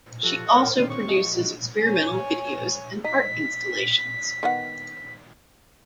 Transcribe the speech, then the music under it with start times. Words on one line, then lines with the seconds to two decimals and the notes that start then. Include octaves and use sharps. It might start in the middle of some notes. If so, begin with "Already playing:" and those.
She also produces experimental videos and art installations.
0.23 F3 F#4 G4 A4
0.51 A#4 C#5
0.77 A#2 D3 D#3 C4 F4
0.90 C#5 C#6
1.08 F3 G#4 D#5
1.32 F#4
1.80 C#5 G#5
3.04 D#4 B6
4.43 D#3 B3 F#5